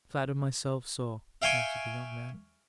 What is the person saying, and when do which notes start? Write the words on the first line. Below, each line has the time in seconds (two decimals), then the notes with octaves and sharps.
"I flatter myself so," answered the young man.
1.42 E5 F5 G5 G#5 C#6